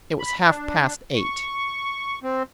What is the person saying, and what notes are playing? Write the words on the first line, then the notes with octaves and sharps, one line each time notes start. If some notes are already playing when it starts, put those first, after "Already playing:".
It was half-past eight.
B5
D4
C#6
C4